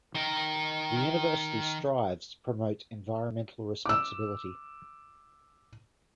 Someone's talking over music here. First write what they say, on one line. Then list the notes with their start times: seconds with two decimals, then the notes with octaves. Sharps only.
The university strives to promote environmental responsibility.
0.15 D#3 A#4
3.85 D6 E6